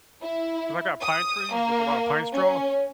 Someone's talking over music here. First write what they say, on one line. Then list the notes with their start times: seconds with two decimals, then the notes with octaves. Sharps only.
'cause I got pine trees with a lot of pine straw
0.22 E4
1.01 D#6
1.54 A#3
2.33 C#4